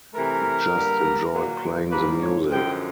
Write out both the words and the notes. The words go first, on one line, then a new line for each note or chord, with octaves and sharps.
He just enjoyed playing the music.
C3 E3 A3 A#4
G2 D3 G3 A#3
A#2 F#3 A#3
G#2 F3 A#3 B4
C#5
F#2 D3 F3 G#3 G5